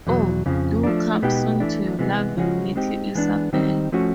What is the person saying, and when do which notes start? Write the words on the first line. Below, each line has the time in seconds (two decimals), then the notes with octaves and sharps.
Oh, do come soon to your loving "Little Isabelle."
0.07 E2 B2 F#3
0.46 F2 C#3 F3
0.83 F3 A3 D4
1.22 B2 G#3 B3 D#4 G4
1.60 E3 A3 D4
1.99 C3 E3 G#3 B3
2.37 C#3 F3 G#3 C#4 F#4
2.76 G#3 C4 D#4 G4
3.15 E3 G#3 B3 D4
3.53 D#3 G3 C4 D#4
3.92 F3 A3 C#4 F#4